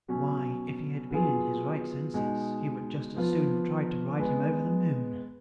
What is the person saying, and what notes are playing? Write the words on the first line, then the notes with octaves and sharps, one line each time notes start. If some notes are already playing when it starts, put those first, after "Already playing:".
Why, if he had been in his right senses he would just as soon have tried to ride him over the moon.
B2 F#3 C#4
F#3 B3 F4 G#4
B2 G#3 D#4
F3 B3 F4
G#3 B3